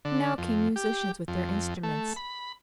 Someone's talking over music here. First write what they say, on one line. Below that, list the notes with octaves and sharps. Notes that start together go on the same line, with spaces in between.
Now came musicians with their instruments.
D3
F2
G4
F2
A3
B5